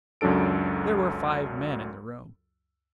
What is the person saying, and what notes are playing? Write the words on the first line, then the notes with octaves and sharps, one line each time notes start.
There were five men in the room.
C#2 F#2 F#3 D4 A4 D7